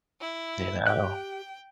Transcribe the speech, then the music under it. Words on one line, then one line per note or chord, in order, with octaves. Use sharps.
You know?
E4
G4 G5 F#6